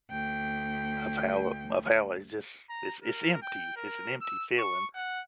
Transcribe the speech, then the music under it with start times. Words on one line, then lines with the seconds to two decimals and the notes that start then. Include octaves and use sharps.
of how of how it's just it's it's empty, it's an empty feeling,
0.11 D2 G5
2.70 A#5
3.03 A#4
3.42 G5
3.77 A#4
4.21 E6
4.59 C#6
4.96 F#5